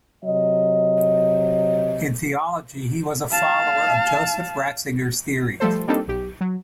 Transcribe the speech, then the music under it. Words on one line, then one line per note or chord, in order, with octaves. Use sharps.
In theology he was a follower of Joseph Ratzinger's theories.
C3 F#3 D#5
F5 A5
F3 G3 A3 A4 C5
G3 A#3 C4 D4 D#4 A4
B1 G4
F#3